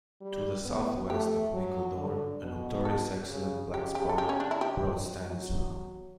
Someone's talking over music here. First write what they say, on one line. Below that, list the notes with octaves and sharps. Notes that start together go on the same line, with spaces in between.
To the south-west of Mickledore, a notorious accident blackspot, Broad Stand is found.
G3
B3
A3 G4
F#3
D3
B2
A4
C#3
C#3 G4
G4
A4
G4
C#4
D4
E4
G4
F#3